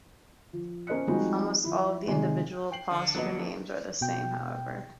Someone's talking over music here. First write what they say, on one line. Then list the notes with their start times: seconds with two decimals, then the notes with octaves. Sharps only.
Almost all of the individual posture names are the same, however.
0.53 F3
0.87 C#4 A#4 C5 D#5 F#6 C#7
1.07 F3 G3 G#3 C4 D#4 F#4
1.64 F3 E4
2.07 C3 D#3 G#3
2.72 G5 C7 F#7
2.91 D3
3.15 F3 F#3 A#3 B3 D#5
4.01 B2 G5